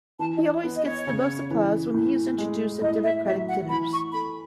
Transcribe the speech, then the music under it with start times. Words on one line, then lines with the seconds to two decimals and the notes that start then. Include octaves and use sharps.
He always gets the most applause when he is introduced at Democratic dinners.
0.19 E3 A5
0.37 D#5
0.41 C#5
0.63 B3
0.76 D#5
0.85 C#5
1.07 C#3
1.51 E3
1.94 A2
2.38 G#3
2.82 A2 D#5
3.03 E5
3.26 F#3 E5
3.47 F#5
3.69 E3 B5
3.92 C#6
4.13 A3 B5